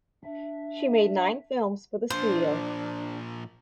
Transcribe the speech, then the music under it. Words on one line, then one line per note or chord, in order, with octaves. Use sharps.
She made nine films for the studio.
D4 E5
A#2 F3 D4 C5